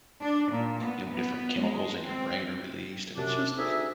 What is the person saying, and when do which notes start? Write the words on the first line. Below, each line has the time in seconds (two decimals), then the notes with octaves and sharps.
you know, different chemicals in your brain are released, and it's just
0.21 D4
0.50 A#2
0.84 B3
1.12 B3
1.58 G#3
2.06 C4
3.17 F#2 C3 D4
3.58 D2 D#4 G#4 E5